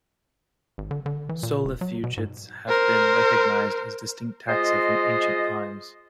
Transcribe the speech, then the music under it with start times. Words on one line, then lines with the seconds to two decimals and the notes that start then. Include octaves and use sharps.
Solifugids have been recognised as distinct taxa from ancient times.
0.78 G#1
0.91 D3
1.06 D3
1.29 E3
1.43 A#2
1.65 E1
1.81 F#3
2.04 B2
2.17 G#2
2.69 A#4 C5
4.49 G#3 F4 C5 D#5